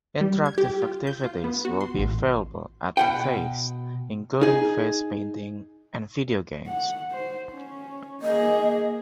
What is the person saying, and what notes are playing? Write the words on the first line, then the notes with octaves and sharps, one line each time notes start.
Interactive activities will be available at The Taste, including face-painting and video games.
G3
G#6
G4
F4
G6
F4
B3
F#4
C6
A1
B2 F#5 G5
D#4 G#4
F#5
C5
C#4
A#3 G#4 D#5